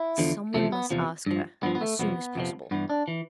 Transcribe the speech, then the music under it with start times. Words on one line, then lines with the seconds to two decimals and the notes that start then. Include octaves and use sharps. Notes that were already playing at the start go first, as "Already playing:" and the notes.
"Someone must ask her--as soon as possible!"
Already playing: E4
0.18 E2 D3 F3
0.54 E2 C3 F3 A3
0.72 B3
0.91 E2 C3 F3
1.26 G2 F3
1.63 G2 F3 B3
1.75 B3
1.81 A3
1.99 F2 C3 F3 B3
2.35 F2 C3 F3
2.71 G2 E3 B3
2.90 D4
3.08 E3